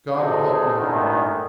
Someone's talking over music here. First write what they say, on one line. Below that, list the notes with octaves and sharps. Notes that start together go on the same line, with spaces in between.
"God help me!" he murmured.
A1 F#2 C3 D#4 G#4 A4
A1 E2 D3 D#3